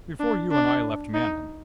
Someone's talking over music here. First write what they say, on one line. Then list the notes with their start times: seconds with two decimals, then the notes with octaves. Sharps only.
Before you and I left Manon.
0.20 D4
0.51 D4
1.14 D#4